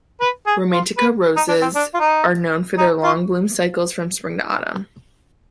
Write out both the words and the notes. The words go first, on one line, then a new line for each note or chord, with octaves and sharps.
Romantica roses are known for their long bloom cycles from spring to autumn.
B4
G#4
F4
B4
D#4
D4
C4
D4
F4
D#4
D#4
F4